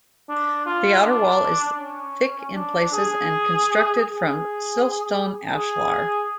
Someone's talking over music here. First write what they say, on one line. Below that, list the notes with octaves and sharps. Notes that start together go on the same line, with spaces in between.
The outer wall is thick in places and constructed from Siltstone ashlar.
D4
F4
D4
C#4
D4
G#4
G#4
G#4